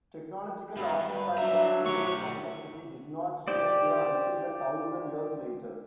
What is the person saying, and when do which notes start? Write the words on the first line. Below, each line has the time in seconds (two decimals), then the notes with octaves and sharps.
Technological artifacts of similar complexity did not reappear until a thousand years later.
0.77 G2 B3
1.09 B4
1.38 F#3 D4 E5 A#5
1.86 A3 G4 C#6
3.48 G4 C5 D5